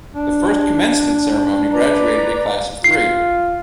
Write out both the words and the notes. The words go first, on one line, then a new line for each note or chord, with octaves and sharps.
The first commencement ceremony graduated a class of three.
D4
B4 D5 A#5
F4 C7